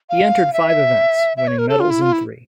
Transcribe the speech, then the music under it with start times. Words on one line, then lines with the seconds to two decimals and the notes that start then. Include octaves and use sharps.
He entered five events, winning medals in three.
0.09 F5
0.53 E5
1.37 E5
1.48 C#5
1.58 A#4
1.69 A4
1.80 F4
1.90 E4
2.02 F4
2.13 E4